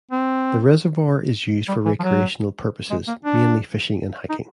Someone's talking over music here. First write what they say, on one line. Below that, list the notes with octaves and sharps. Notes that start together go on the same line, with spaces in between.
The reservoir is used for recreational purposes; mainly fishing and hiking.
C4
G3
E3
F3
F#3
G#3
A#3
D4
D#4